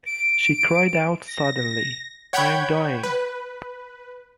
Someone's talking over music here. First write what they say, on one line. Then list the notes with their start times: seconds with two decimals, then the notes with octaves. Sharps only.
She cried out suddenly, 'I'm dying!
0.06 D7
1.26 A#6
2.33 C#5 F#5 G5 B5 G6 G#6
3.03 B4